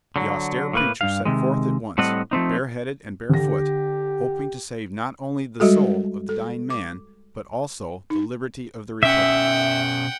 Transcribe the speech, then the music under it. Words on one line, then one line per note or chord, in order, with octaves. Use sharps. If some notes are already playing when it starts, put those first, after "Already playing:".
The austere preacher set forth at once, bareheaded and barefoot, hoping to save not only the soul of the dying man but also the liberty of the republic.
D3 F#3
A2 A#3 B4
G2 F5
C3 D#3 G#3
A2 G3 C4 A4 D#5 F#5
F3 A3 C4 D#4
D3 G4 A#6
G3 G#3 F#4 A4
A4
D6
D#4
B2 C#4 E5 F#5 G5